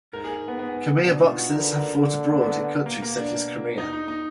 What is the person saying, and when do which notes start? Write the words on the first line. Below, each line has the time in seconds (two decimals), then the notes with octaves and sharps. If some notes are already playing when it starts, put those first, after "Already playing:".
Khmer boxers have fought abroad in countries such as Korea.
0.13 G#2 A#4
0.24 G#4
0.48 B3
0.59 B3
1.04 B2 D4
1.16 D#4
1.27 F4
1.38 F#4
1.50 D3 A#4
1.61 B4
1.72 A#4
1.84 D4
1.96 D3
2.29 A#3
2.41 B3
2.86 B2 A#3
3.02 A#3
3.17 D4
3.78 D#4
3.93 D#4
4.08 D#4